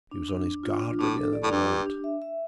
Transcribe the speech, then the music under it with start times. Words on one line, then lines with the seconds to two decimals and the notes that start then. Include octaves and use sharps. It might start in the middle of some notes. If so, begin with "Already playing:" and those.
He was on his guard again in a moment.
0.11 D4
0.29 D4
0.46 D4
0.63 F4
0.82 D4
0.99 A2 D4
1.17 A4
1.33 D5
1.43 A2
1.51 G2 D4
1.69 G4
1.86 D4
2.04 E5
2.22 E5